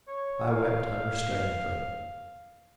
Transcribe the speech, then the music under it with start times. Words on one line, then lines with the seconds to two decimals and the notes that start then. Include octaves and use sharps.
I wept unrestrainedly.
0.07 C#5
0.51 F5